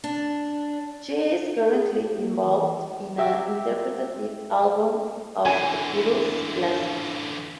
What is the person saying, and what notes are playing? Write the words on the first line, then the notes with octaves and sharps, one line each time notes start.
She is currently involved in an interpretative album of the Beatles' classics.
D4
G#4
G4
A#3
E3
G4 E5 G5 E6
D3 E3 G#5